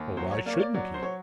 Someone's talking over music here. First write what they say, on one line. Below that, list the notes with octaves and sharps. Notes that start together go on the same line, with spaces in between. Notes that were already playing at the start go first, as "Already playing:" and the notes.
"Why shouldn't he?"
Already playing: D#2
F#3 C5
C#5
A#3 D5
C#5
D5
F#3 D5
C5
F#3 C#5